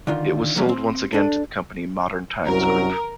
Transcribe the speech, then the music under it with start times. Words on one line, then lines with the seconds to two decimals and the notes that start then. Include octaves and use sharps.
It was sold once again to the company Modern Times Group.
0.07 D3 D#3 F4
0.55 E2 F#3 G3 A#3
0.69 C4
1.13 D4 A4
2.47 C2 F#2 F#3 A#4